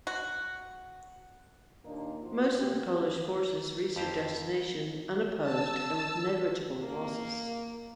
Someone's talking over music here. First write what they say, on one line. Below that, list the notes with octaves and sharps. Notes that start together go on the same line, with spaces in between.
Most of the Polish forces reached their destination unopposed and with negligible losses.
F#4
D#2 A#2 A#3 D4 D#4
F3 F4 F#4
C3 F#3 A#3 G4
F2 G4 C5 A#5
A5 E6
A#3